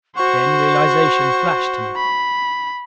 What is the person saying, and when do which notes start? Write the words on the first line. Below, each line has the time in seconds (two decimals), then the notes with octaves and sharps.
Then realization flashed to me.
0.16 F#4 C5 C#6
1.97 B5